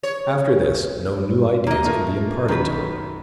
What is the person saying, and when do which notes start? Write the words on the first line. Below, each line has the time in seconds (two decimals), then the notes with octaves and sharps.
After this, no new ideas can be imparted to him.
0.03 C#5
1.67 A#3 D#5
1.83 A3 F4 A#4
2.48 F#2 D#3 F#3 B4